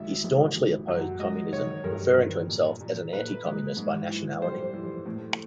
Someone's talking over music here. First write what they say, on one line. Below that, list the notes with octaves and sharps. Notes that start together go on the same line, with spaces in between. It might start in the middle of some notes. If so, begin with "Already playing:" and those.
He staunchly opposed communism, referring to himself as an "anticommunist by nationality".
Already playing: G#1 E5
G#1
G#1
F#2
G#3 D#5
D#3 C#5
G2 A#4
D#3
A#2
A#2
A#2 B4
G#3
G#2
E3
G3 C5
E3
A2